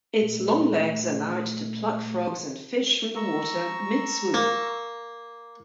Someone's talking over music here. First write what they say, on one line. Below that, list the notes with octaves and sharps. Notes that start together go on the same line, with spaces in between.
Its long legs allow it to pluck frogs and fish from the water mid-swoop.
A#2 A3
A#5 C#6 E6
A#3